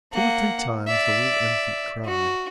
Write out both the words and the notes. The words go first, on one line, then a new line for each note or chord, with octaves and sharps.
Two or three times the little infant cried.
A#3 F#5
D5 E5
F#4